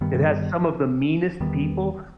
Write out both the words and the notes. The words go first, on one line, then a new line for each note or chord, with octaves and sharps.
It has some of the meanest people,
G2 D#3 G3 B3
E2 D#3 G3 B3